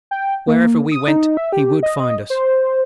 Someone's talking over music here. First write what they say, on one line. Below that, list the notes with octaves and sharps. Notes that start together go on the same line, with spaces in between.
Wherever we went, HE would find us.
G5
A#3
D#6
D#4
E5
G4
D#5
C5